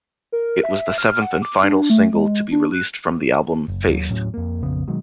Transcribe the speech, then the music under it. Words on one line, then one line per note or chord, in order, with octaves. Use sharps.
It was the seventh and final single to be released from the album "Faith".
A#4
E5
F6
F#5
D6
D4
A3
G#3
D4
F#6
F#1
D#2 F#3
D#2 A2 F#3 C#4
F2 A#3
A#1 F2 C#3 B3
B2 D#3 F#3 G#3